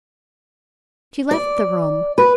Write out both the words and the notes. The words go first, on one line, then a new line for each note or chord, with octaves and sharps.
She left the room.
D5
B4